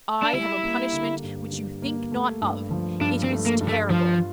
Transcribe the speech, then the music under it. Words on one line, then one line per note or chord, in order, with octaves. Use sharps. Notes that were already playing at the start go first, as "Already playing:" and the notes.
I have a punishment which you think not of; it is terrible!
D4
G3 E4
A#3
D3
G2
G3
A#3
A3
G2
F3
G2 D4
C4
A3
A#3
G2
A3
F3 F4